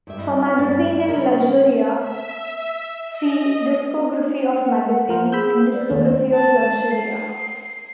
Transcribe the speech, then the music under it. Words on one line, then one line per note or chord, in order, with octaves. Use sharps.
For Magazine and Luxuria, see "Discography of Magazine" and "Discography of Luxuria".
G2 G4 E5
G3 E4 D#5
D2 G2 D5
C#3 G3 C#4 A#4
E5
D#5
F#5
F3 A#4 C5
G#4 B5 E6 G6
B3 D5
D#2 A3
A5
C7